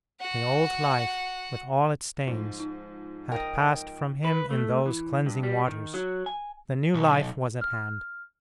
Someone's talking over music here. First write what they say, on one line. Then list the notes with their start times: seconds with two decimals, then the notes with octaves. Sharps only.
The old life, with all its stains, had passed from him in those cleansing waters; the new life was at hand.
0.21 F#4 F#5
2.27 G#2 F3
2.60 D#4
3.32 A#4 D#5 G5
4.25 B4
4.51 A3
4.86 E3
5.26 G2
5.43 G3
5.68 D#3
5.94 F#3
6.26 G#5
6.94 B1
7.61 F6